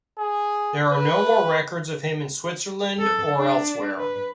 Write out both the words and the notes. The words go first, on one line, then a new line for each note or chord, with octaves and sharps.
There are no more records of him in Switzerland or elsewhere.
G#4
B4
A4
D4
B4